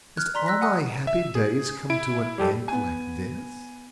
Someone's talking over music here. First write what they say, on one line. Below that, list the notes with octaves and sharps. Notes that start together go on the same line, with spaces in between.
"Must all my happy days come to an end like this?"
F6 F#6 G#6
D5 A#5 C6 B6
E6 F#6 A#6 B6
F#5 G#5 D#6 F#6
E5
G#4
E4 D7
G3 G4 A4
B3 G#5